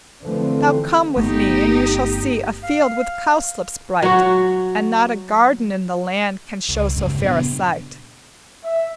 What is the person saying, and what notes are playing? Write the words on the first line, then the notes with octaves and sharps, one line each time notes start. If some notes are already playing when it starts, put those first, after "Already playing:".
"Now come with me and you shall see A field with cowslips bright And not a garden in the land Can show so fair a sight."
D3 E3 F3 A3 C4
G1 A3 B3 D#4 G4
F5
F#3 F#4
C#2
E1 G2 C#3 G3
A#2 C#3 B3 D4
E5